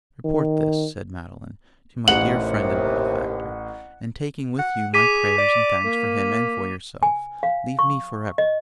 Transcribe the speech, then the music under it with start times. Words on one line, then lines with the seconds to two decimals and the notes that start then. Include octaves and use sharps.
Report this,' said Madeline, 'to my dear friend and benefactor, and, taking with you my prayers and thanks for him and for yourself, leave me for ever!'
0.25 D#3
2.08 A1 D#2 C3 F#5 F#7
4.59 F#5
4.94 G#4 D6 B6 D#7
5.39 D5
5.85 A#3
7.03 G#5
7.43 F5
7.79 C#6
8.38 D#5